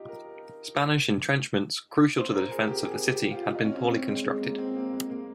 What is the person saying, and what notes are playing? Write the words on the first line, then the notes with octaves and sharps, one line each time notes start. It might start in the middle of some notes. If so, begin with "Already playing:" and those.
Spanish entrenchments, crucial to the defense of the city, had been poorly constructed.
Already playing: D#4 F4 G4
A#4
C5
A#4
G#4
G4
G#4
G4
F4
D#4
C#4
C4
G#3
G#3
A#3
C4
A#3
G#3
A#3